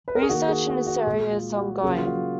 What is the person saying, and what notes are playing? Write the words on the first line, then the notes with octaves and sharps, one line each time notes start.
Research in this area is ongoing.
B4
A#4
G#4
D#3 A#3 F#4
G#4
F#4
F#4
A#2 G#3 G#4
F4
F#4
C#3 F#3 A#3 G#4
F#4
F4
F#4